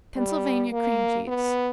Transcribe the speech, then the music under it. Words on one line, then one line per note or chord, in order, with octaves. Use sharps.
Pennsylvania Cream Cheese.
G3
A#3
B3